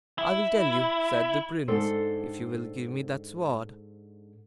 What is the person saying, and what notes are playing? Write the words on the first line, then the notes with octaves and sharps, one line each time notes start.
"I will tell you," said the prince, "if you will give me that sword."
E4
G#2 D4 A4 C5 G5